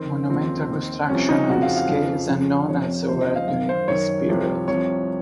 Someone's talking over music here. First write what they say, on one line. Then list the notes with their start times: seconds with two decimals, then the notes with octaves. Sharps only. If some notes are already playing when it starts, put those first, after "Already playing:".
Monumental construction on this scale is unknown elsewhere during this period.
Already playing: F2 D#3 C4
0.29 D#2 C#3 F3 C4
0.69 D#2 D#3
1.09 C2 C3 F3 C#4
1.29 D#4
1.49 F2 C#3 F3 F#4
1.63 F5
1.76 F5
1.89 F2 C#3 F3
2.28 F2 C#3 F3
2.69 F2 C3 F3 C#5
3.02 A#4
3.08 D#2 C#3 F3 C5
3.21 D#5
3.36 F5
3.48 F#2 D#3 F5
3.69 C5
3.88 F#2 D#3 C#5
4.29 C2 C3 F3
4.68 C2 C3 F3 C#5